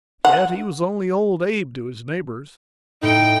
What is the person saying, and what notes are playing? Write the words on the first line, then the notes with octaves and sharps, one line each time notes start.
Yet he was only "Old Abe" to his neighbors.
F#5
A2 D#4 G5